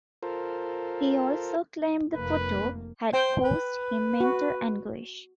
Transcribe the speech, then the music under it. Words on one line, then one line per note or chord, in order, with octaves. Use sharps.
He also claimed the photo had caused him mental anguish.
F4 A4 A#4 C5
F1 A#3 B4
C5 G5
B4
F#4